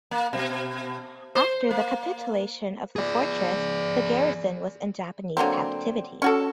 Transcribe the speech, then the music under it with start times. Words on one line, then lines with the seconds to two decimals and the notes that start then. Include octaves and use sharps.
After the capitulation of the fortress the garrison was in Japanese captivity.
0.11 A#3
0.33 B2
1.35 C5
1.71 A#3
2.96 G#4 D5
5.37 D3 F#3 A#3 C4
6.22 C#4 F#4 A4